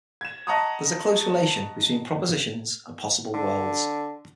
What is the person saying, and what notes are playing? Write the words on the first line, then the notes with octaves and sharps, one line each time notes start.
There is a close relation between propositions and possible worlds.
G#6 E7
D#5 F#5 A5 A#5 C#6 D#6
D3